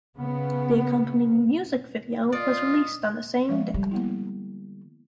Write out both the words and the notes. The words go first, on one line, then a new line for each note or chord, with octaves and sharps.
The accompanying music video was released on the same day.
C#3 B3
F4 D5 D#5
F3 G#3 E5
D3 G3
A#3 B3 E4